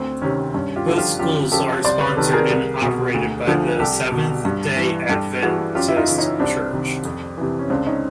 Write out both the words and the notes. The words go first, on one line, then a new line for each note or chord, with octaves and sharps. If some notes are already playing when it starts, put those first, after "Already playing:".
Both schools are sponsored and operated by the Seventh-day Adventist Church.
Already playing: D2 C4
C3 D#3 C#4
G2 C#4
F4 G4
D3 F3
F4 G4
F#2 F4 G4
C#3 F3 G4 A4
C2 C5 D5
B4 C#5
C3 D#3 A4 B4
G#4 A#4
C2
B2
D2
D3 F3
C2 G4 A4
B2
G2
E3
G2 G4 A4
E3 F#4 G#4
F#2 F4 G4
E4
D#4 F4
C#3 E3
C#4 D#4
C2 C4 D4
C3 D#3
F2
C3 E3
C#4
C#2 C4 D4
C#4 D#4